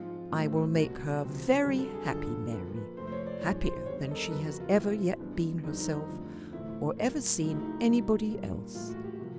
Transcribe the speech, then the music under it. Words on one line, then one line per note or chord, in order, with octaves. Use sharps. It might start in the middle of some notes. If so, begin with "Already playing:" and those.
I will make her very happy, Mary; happier than she has ever yet been herself, or ever seen anybody else.
Already playing: G#2 F3 G#3 C4 F4
A2 F#3 A3 C4
C2 B2 G3 A#3 F#4
C#2 C3 F3 G#3 C4
G2 D3 F#3 G4
A4
G#4
G2 D3 F3 A4
A#2 F3 A#3 B4
B4
F2 C3 F3 A3 C4 C5
C5
C#5
D5
G#2 F3 G#3 C#5
C5
D#2 D3 G3 B3 C#5
D#5
A4
A#4
F2 C#3 F#3 A#3 B4
F#4
F4
B2 G#3 C4 E4
G2 E3 G#3 B3
F2 D3 G3 C4 D#4
D#4
D2 D3 F3
A2 E3 A3 C4 E4
A#2 G3 A#3
C#2 C#3 F#3 A3 D#4
E4
D#4
B2 G3 A#3
A#2 G3 A#3
A2 E3 G#3 F4
F#4
G4
C3 F3 A#3